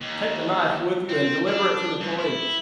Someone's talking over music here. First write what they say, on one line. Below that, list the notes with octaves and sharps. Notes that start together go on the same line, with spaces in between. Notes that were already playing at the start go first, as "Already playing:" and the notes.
"Take the knife with you, and deliver it to the police."
D#2
C4
D4
G2
E4